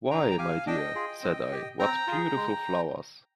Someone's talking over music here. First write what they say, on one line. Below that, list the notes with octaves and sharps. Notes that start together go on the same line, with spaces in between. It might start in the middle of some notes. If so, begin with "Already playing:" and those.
"Why, my dear," said I, "what beautiful flowers!"
D4 G5 A#5
G5
G4 F5 G#5
D4 D#5 G5
F4 G#4
C4
G4
C4 G5 A#5
F4 G#4
G#3